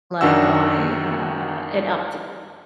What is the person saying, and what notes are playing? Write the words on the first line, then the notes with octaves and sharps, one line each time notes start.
like, I, uh an update.
F#2 D#3 D4 F#4 F#5 E6